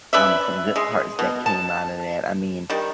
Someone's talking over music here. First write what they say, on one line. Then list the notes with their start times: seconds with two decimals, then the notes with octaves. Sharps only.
um, some good parts that came out of that. I mean,
0.13 C#4 B4 D5 E5
0.76 G#3
1.19 B2
1.46 A5
2.70 D#3 G3